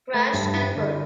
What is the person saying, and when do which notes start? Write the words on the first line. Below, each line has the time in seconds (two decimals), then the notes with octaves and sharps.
Crash and burn.
0.14 A3
0.34 G2
0.54 E4
0.76 D3